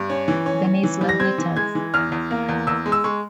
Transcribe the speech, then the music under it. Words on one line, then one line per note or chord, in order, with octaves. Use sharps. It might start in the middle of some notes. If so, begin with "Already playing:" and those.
Gurney's "Love Letters".
Already playing: G2
C#4
E3
C#4
C#4
E3
G3
A#6
C4 G#6
E3
G#3 G#6
E3
E2 F6
E2
A#3
E2
E2 E6
G#3
E6
G#3 C#6